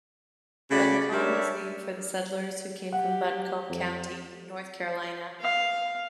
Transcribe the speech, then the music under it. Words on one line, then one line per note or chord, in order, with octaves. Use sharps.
Buncombe was named for the settlers who came from Buncombe County, North Carolina.
C#3 A3 F#4 D5 B5
G3 D4 A#4 C#5 E5
G4 F#5
F2
F5